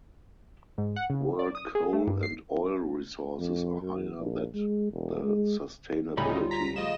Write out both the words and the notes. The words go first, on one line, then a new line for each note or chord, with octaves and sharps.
World coal and oil resources are higher that the sustainability.
G#2
F#5
C#3
D5
D#6
G#4
A3
G2
C7
F2
F#2
A#1
G#3
E1
G#3
D2 A2 C#3 G3 D#4 C#5 G#5 B5
F4
A#5 B6
C#3 F3 A3 D#5 E7